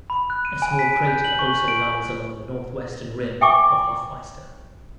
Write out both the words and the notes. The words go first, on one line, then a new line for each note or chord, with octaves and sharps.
A small crater also lies along the northwestern rim of Hoffmeister.
B5
F#6
D#7
G#5
B6
D7
G6
F#7
C#6
D7
E5 G5 G#5 C#6 D6